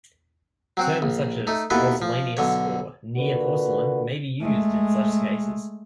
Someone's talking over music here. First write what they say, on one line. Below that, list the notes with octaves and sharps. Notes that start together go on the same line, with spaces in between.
Terms such as "porcellaneous" or "near-porcelain" may be used in such cases.
F#3 C4 F#4
A#1
A3 D#4
D#2 B2 E4 A4 B4
F3
B1 D3 C#5
A#2 D3 F#4 B4
G#3 A3